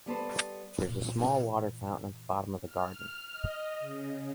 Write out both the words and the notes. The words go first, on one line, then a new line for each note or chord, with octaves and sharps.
There is a small water fountain at the bottom of the garden.
G3 B3 A4 C5
A#2 E3
F6
D#5
C#3